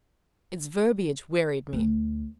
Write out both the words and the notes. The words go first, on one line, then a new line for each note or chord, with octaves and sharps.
Its verbiage wearied me.
D2